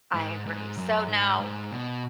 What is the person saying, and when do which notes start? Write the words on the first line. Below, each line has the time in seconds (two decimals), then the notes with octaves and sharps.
I agree. So now,
0.14 G#2
0.46 G#2
0.77 F#2
1.09 G#2
1.40 G#2
1.71 B2